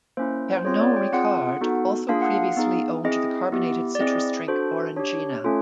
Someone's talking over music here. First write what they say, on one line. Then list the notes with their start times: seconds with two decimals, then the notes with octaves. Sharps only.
Pernod Ricard also previously owned the carbonated citrus drink Orangina.
0.17 A#3 C#4 E4 C5
0.57 C5
0.65 C4 F4 G#4 C#5
0.77 C#5
0.81 D5
0.96 G5
1.13 C4 F4 G#4 F#5
1.61 B3 D#4 F#4 A4
2.09 A#3 D4 F4 G#4 F5
2.22 F#5
2.35 F5
2.57 B3 D#4 G#4
3.05 C4 E4 G#4 D#5
3.52 B3 E4 G4
3.95 D5
4.00 C4 E4 G#4 D#5
4.48 D4 F#4 A4 C5
4.96 D4 G4 C#5
5.44 A3 C#4 F4 A4